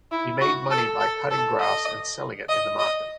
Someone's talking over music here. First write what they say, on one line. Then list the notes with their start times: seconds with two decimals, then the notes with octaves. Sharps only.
He made money by cutting grass and selling it in the market.
0.11 E4
0.41 F#4
0.70 A4
1.00 A4
1.31 A4
1.60 D#5
2.49 D#5
2.79 D#5